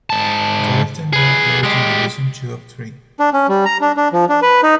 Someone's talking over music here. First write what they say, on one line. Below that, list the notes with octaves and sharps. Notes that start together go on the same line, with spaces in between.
Droylsden were placed in Division Two of three.
G#2 A5
G#4 B4
G#3 G4
D4
C#4
G3
A#5
D4
D4
F3
D4
B4
D#4